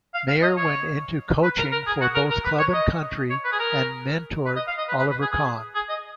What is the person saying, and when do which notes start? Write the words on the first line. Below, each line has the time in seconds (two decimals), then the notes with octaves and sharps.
Maier went into coaching for both club and country and mentored Oliver Kahn.
0.14 F5
0.28 F5
0.42 D#5
0.57 C#5
1.43 B4
1.58 A#4
1.72 A#4
1.86 G#4
2.01 F#4
2.15 A#4
2.30 A#4
2.45 B4
2.59 C#5
2.74 D#5
3.30 C#5
3.44 B4
3.52 G#4
3.59 A#4
4.46 B4
4.56 D#5
4.67 F5
4.78 D#5
4.88 B4
4.99 B4
5.10 B4
5.22 G#4
5.32 G#4
5.75 G#4
5.89 D#5